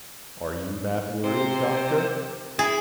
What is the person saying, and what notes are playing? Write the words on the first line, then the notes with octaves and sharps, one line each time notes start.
"Are you that worried, Doctor?"
C3 C5
E4 G#4